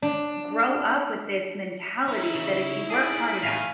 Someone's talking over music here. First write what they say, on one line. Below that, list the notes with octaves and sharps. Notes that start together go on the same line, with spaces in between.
grow up with this mentality, that if you work hard enough,
D4
D#4 E4
C#3
G#4 D5
A2 F5 G#5